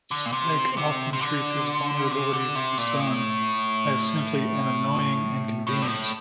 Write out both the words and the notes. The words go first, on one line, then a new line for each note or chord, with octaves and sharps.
Spike often treats his vulnerability to the sun as simply an annoying inconvenience.
D3
A#2
C3
C3
C3
D3
C3
D3
C3
A#2
A2
A2
G2
A2